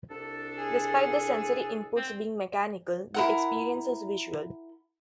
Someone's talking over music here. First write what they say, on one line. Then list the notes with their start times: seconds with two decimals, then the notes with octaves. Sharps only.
Despite the sensory input's being mechanical, the experience is visual.
0.11 C2 D4 A4
0.58 G#4
1.96 C4
3.14 E4 A#4 F#5